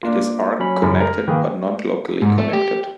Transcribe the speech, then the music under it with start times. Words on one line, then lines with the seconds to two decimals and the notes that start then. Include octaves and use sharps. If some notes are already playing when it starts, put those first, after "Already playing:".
It is arc connected but not locally connected.
0.03 A#3 D4 F4
0.60 F#3 C#4 B5
0.82 F#2 C#3 E3
1.00 A#4
1.28 D#3 A#3 G#4 B4
2.22 G#2
2.38 A3
2.53 G4